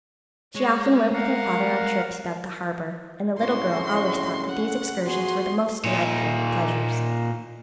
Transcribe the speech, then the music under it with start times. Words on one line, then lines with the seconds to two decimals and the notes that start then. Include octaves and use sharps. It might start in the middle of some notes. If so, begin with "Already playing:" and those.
She often went with her father on trips about the harbor, and the little girl always thought that these excursions were the most delightful of pleasures.
0.55 G#3 C#5
1.13 A#4 F5 F#5
3.39 A2 C#3 C4 C#4 F#4 C6
4.49 F#5
5.04 G2 B3 F#4 G#4 C6
5.84 A#2 D#4